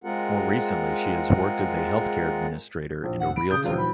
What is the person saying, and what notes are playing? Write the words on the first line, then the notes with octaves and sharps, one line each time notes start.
More recently she has worked as a healthcare administrator and a realtor.
G#3 C4 F4 G#4 A#4 F#5
A#1
F#5
B5 D7
C#3 D#6 G6
A#1 F#2 E3 F4
B5